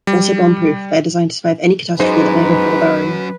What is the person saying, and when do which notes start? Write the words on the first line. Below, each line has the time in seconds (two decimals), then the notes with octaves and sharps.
Also bomb-proof, they are designed to survive any catastrophe that may befall their owner.
0.07 G3
2.00 G#2 F#3 C#4 D#4 G#4 B4 C5